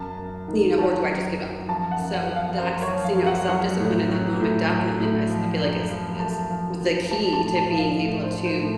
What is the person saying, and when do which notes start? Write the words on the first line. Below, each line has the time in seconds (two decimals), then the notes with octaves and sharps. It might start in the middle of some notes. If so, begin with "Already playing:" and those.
"you know, or do I just give up?" So that's so, you know, self-discipline in that moment, definitely, I s I feel like is is the key to being able to
Already playing: F#2 A5
0.18 F#2
0.48 D#3
0.78 F#3 A5
1.09 F#2
1.39 F#2
1.69 F3 A5
1.91 F#5
1.99 F#2
2.14 F#5
2.29 F3
2.36 F5
2.59 F#2 C5
2.82 C#5
2.89 F3
3.04 F5
3.19 F#2
3.26 F#5
3.49 F#3 F#5
3.80 A2
4.09 F#3
4.40 A2
4.70 F#3
5.00 A2
5.30 F3
5.60 F#2
5.90 F3
6.20 F#2 A5
6.50 F3
6.80 F#2
7.11 F3 A5
7.33 A5
7.40 A2
7.56 A5
7.71 F3
7.78 F5
8.01 A2
8.24 C5
8.31 F3
8.45 C5
8.61 A2